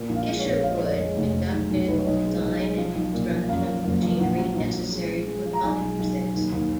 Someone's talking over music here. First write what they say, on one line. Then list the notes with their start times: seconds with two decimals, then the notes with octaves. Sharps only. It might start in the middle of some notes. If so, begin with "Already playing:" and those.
Isherwood conducted the design and construction of the machinery necessary to accomplish this.
Already playing: A#2
0.09 A#1
0.15 F5
0.27 G#3
0.39 C#5
0.45 A#1
0.63 G#3 F5
0.71 D#5
0.78 C#5
0.81 F2 D#5
0.99 G#3
1.17 F1
1.35 G#3
1.52 B1
1.71 B1
1.88 B1 B4
1.98 C#5
2.06 B1 D#5
2.24 G#3
2.42 B1
2.59 G#3
2.77 F3
2.95 B1
3.13 A#2
3.31 F3
3.49 F#2 F5
3.67 F3
3.84 F#1
4.02 F3
4.20 A#1 F#5
4.38 F#3
4.56 A#1
4.74 A#1
4.92 G#3
5.10 G#3
5.27 G#3
5.45 F3
5.53 A#5
5.63 B1 G#5
5.81 G#3
5.99 B1
6.16 B1
6.34 D#2
6.52 D#2